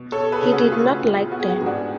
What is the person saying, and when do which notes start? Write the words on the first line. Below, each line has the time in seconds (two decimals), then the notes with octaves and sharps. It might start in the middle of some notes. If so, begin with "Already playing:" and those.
He did not like them.
Already playing: B2
0.12 B3 A4 C#5
0.32 G#4 B4
0.42 C#3 G#4
0.52 F#4 A4
0.72 A3 F4 G#4
1.02 A2
1.31 B3 F#4
1.40 G#4
1.49 F#4
1.58 G#4
1.62 G#2 D4 F#4